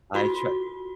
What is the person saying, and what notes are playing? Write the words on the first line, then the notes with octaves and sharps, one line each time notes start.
I tr
F4 F#4